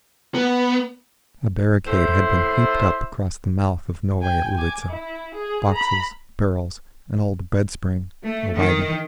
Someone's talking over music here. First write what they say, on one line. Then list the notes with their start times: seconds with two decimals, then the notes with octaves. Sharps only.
A barricade had been heaped up across the mouth of Novaya Ulitza--boxes, barrels, an old bed-spring, a wagon.
0.35 B3
1.87 A2 E4 C5
4.21 G5 G#5
4.56 G#5 D6
4.89 E4
5.35 G#4
5.72 A#5 B5
8.24 A3
8.57 D#3